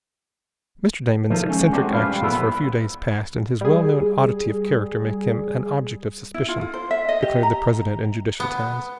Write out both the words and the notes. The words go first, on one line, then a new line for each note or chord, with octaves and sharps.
"Mr. Damon's eccentric actions for a few days past, and his well-known oddity of character make him an object of suspicion," declared the president in judicial tones.
D#3 F3 A3 A#3
G#3 C#4
G#3 A3 C4 D4 F#4
F2 A#2 D4 F4 B4 F5
G3
A#2 F3 A3 B3 E4
G3 G#4
E4
F4
F4
C5
E5
D#5
G4
A#5
B3